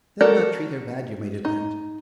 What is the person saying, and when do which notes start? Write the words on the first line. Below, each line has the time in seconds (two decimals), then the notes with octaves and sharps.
They'll not treat her bad, yer may depend.
0.21 F#4 A4 A#4 D5
1.45 D#4